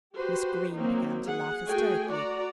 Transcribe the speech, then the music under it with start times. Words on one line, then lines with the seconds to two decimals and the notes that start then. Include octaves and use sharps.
Miss Greene began to laugh hysterically.
0.16 F#4 G4 B4 C5
0.73 F#3 A#3 C4 D#4
1.26 G#4 F#5
1.66 A3 F#4 G#4 G5 G#5
2.09 F#4 D5 F#5 A#5